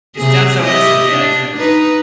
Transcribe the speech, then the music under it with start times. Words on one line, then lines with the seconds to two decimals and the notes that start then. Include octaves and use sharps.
It sounds so innocent. Yeah, exactly.
0.17 C3 G#4
0.63 E4 G4 D#5
1.11 D4
1.57 D#4 B4